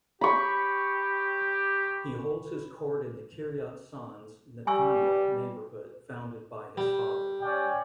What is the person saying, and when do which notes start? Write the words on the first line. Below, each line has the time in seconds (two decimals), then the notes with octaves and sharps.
He holds his court in the Kiryat Sanz, Netanya neighborhood founded by his father.
0.21 G4 B5 C#6
4.67 G3 G#5 C#6 E6
6.77 G3
7.42 C#4 D5 G5